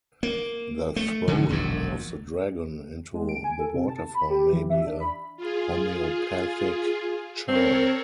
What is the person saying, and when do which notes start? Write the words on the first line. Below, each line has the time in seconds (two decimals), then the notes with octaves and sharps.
The throwing of the dragon into the waterfall may be a homeopathic charm.
0.23 A#3
0.96 A3
1.28 D3 D#3 C#4
1.49 E1 A#1 F#2 F#3
3.14 G#3
3.29 D7
3.44 G#5
3.59 A4
3.74 C3
3.88 A5
4.15 B5
4.30 G4
4.53 E3
4.70 E5
4.86 D4
5.00 B5
5.37 F4 G#4
7.48 C4 A4 A#4 C#5